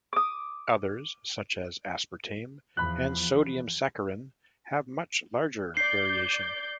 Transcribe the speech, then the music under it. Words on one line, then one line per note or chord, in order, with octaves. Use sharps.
Others, such as aspartame and sodium saccharin, have much larger variation.
D6 D#6
E2 F3 B5 F#6
D5 G6 C7